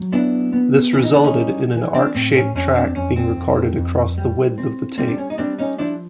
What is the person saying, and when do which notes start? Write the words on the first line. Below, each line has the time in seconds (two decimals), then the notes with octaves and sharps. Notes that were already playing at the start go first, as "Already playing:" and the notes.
This resulted in an arc-shaped track being recorded across the width of the tape.
Already playing: F#3
0.12 B3 D4 E4
0.53 B3
0.93 E3 E4
1.03 D#4
1.14 D4
1.24 C#4 D#4
1.34 G3
1.74 E3
1.94 C4 D4
2.15 A2 C4
2.35 C#4
2.55 F2 C#4
2.75 C4 D4
2.96 F2 C#4
3.16 C4
3.36 F2
3.77 F2
4.18 G3
4.58 C4
4.98 G3 C4
5.08 D4
5.18 C#4
5.30 D#4
5.38 G3 C4 D4
5.59 C#4 D#4
5.78 F3 D4 E4